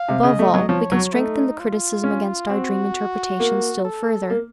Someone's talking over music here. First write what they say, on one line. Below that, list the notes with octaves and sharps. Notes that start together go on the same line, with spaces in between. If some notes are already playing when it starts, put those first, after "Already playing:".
Above all we can strengthen the criticism against our dream interpretation still further.
Already playing: F5
C3
C#3 D#5
A3
F#3
F3 C#5
F#3
A3 D#4
F4
C#4
C4 F#4
A#3
A4
A#3